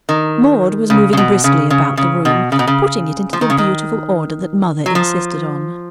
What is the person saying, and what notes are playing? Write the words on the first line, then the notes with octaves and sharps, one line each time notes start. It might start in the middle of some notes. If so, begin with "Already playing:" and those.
Maude was moving briskly about the room, putting it into the beautiful order that Mother insisted on.
D#3
C#3
C#3
B2
C#3
C#3
C#3
B2
C#3
B2
C#3
F3
D#3
C#3
D#3
F#3
F3